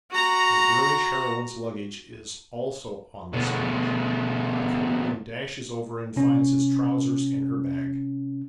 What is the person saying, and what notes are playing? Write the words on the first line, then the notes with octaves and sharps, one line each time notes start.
The girlish heroine's luggage is also on the stage, and our comedian dashes over and finds his trousers in her bag.
F#4 A#5
B2 D3
C3 C#4